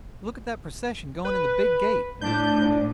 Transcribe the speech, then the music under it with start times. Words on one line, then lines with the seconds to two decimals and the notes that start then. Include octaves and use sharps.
Look at that procession going in the big gate!
1.25 B4
2.21 A2 D4 G6